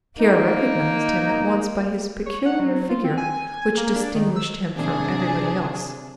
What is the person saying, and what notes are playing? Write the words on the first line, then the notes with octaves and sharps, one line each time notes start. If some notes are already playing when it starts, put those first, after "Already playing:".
Pierre recognized him at once by his peculiar figure, which distinguished him from everybody else.
A#3 D#4
C#5
F#5
F#3
F4
C4
G#5
G#5
A#3
D4
D#3
E6
C3 D4 G#4